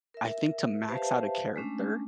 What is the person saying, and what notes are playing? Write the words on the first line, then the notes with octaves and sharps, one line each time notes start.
I think to max out a character,
A#4 E5
G4 B4 C5 E5 F5 A5
G#3 A3 C#4 D4